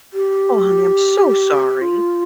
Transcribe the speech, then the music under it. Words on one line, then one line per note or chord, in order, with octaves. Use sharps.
Oh, honey, I'm so sorry.
G4
F4